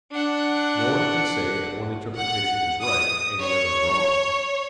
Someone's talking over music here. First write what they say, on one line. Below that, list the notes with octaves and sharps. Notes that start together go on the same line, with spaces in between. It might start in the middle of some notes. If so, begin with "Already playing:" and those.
No one can say that one interpretation is right and the other wrong.
D4 F#5
F#5
D#6
C#5